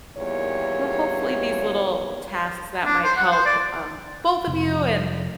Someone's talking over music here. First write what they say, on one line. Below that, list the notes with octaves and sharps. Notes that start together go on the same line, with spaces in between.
well, hopefully, these little tasks that might help, um, both of you and
E2 A#2 D#3 G3 C#5
D4
C5
F#5
C5
D5
F1